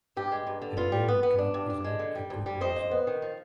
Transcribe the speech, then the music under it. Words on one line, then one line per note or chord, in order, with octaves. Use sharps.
A mewing cat is not a good mouser.
G2 G4
G#3
G2
D3
B3 F4
G3
B3
B3
D4
G2
D4
G#3
D3
G3
D2
G3
F2 C5 D#5
F2
B3
D#3
F3